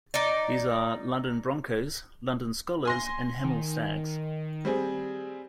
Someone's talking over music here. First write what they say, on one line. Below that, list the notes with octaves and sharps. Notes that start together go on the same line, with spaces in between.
These are, London Broncos, London Skolars and Hemel Stags.
D#4 D5
G#5 C6 A#6
D#3
G3 C4 G#4